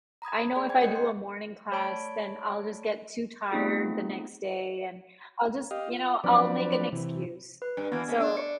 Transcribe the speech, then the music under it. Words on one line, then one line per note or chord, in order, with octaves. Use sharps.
I know if I do a morning class, then I'll just get too tired the next day and I'll just, you know, I'll make an excuse, so,
A#5 B5 D#6 G#6
B5
G#4 C5 D5
G5 G#5 G#6
A#3 A#4 D#5 F#5 G6 C#7
C6
A3 C#5 D5 A5 B5 D7
A3 B3 C4 D#4 F4 G#4
G4 D#5 F5
F4
F3 F#3 C4 D4 B4 D5
C3 E3
B4
G2
E3 A#3 B3 D4 G#6
G#3 A3
D4
C#7